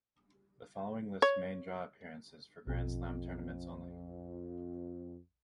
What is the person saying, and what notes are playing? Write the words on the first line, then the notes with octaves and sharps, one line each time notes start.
The following lists main draw appearances for Grand Slam tournaments only.
C#5
A#1 F2 B2